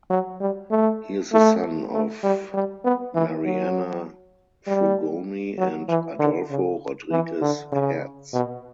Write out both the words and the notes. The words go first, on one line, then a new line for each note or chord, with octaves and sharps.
He is the son of Mariana Frugoni and Adolfo Rodriguez Hertz.
F#3
G3
A3
A3
A3
G3
G3
B3
E3
F#3
G3
F#3
E3
D3
C#3
E3
D3
C#3
B2